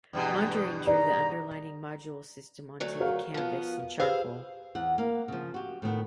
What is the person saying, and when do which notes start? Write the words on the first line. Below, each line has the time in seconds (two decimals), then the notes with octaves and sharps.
Mondrian drew the underlying modular system onto the canvas in charcoal.
0.13 E2 G2 B2
0.87 D5 A#5
2.80 D2 F#3 A3
3.00 F#4 A#4 F5
3.34 F3 B3
4.00 G4 G#4 B4 C5 F5 E6
4.75 E2 F#5
4.98 A#3 F5
5.28 C#3 F3
5.54 F#4 G4
5.82 A2 D#3 B3